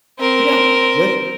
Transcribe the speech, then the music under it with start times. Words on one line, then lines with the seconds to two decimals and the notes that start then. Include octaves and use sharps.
Oh yeah. Good.
0.20 C4 A#4